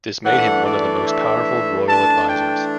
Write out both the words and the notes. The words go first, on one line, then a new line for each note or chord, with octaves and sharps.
This made him one of the most powerful royal advisers.
E3 A3 D4 F#5
D5
E5
E3 A3 D4 A5
G5